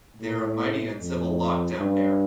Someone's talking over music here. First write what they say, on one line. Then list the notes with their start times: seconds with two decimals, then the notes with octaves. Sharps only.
They're a mighty uncivil lot down there.
0.21 A2
1.00 F2
1.79 G2